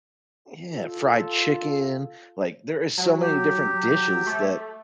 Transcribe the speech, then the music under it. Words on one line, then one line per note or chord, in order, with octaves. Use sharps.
Yeah, fried chicken, like there is so many different dishes that
F4 A4
F#3
G4
A3